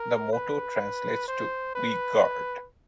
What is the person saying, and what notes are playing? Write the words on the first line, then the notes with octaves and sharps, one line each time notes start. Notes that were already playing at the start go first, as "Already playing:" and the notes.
The motto translates to We Guard.
Already playing: A#4
B4
C5
B4